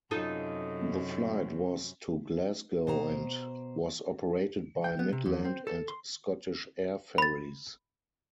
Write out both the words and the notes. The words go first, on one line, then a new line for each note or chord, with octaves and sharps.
The flight was to Glasgow and was operated by Midland and Scottish Air Ferries.
F#2 C3 D#4 F4 A4
B2 C5 A#5
G5
B3
C3
E2
C4
A4
C6
B5 A6